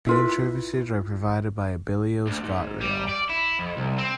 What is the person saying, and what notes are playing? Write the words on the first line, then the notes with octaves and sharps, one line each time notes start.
Train services are provided by Abellio ScotRail.
E4 F4 B4
D2
G#2
G3
D5
E4
F2
C2
C4